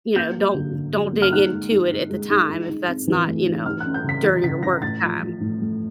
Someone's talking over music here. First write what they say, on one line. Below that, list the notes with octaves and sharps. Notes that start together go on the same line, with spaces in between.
you know, don't don't dig into it at the time if that's not, you know, during your work time.
A#3 G6
F#3
D3
D3
F#3
A#3
F6
D#4 F#6
G#3
D#4
D#4
G#3
D#4
D#4
D#4
C4
E3
A3
D#4
E3 F6
F#6
C#4
G6
C#3 B6
E3 A6
C#3 B6
E3 A#6
A2 A6
F3
F3
A2
A3